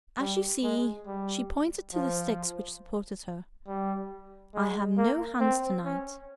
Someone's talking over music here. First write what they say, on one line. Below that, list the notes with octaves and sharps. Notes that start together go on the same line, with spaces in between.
As you see"--she pointed to the sticks which supported her--"I have no hands to-night.
G3
G#3
G3
F3
G3
G#3
A#3
C4
C#4